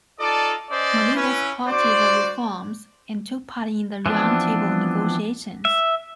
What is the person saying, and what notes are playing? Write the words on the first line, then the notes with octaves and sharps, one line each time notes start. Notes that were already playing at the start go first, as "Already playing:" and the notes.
Maleuda supported the reforms and took part in the round table negotiations.
D#4 F4 A4 D5 D#5 A5
C#4 C5 D5 D#5
C#4 E4 B4
D4 F#4 C5 D5
E3 F3 B3 C4 D4
E5